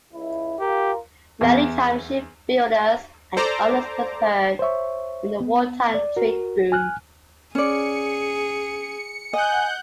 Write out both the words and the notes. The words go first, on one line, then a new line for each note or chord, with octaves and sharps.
Maritime ship builders and owners prospered in the wartime trade boom.
C#2 E4
F4 G4 A#4
E2
A4 C5 D5 A#5 D6
C5 C#5 E5 C#6
B3
D5
F#4 A#4
G#5 F6 F#6
C#4 G#4 D5 C#7
D#5 F#5 G#5 F#6 G6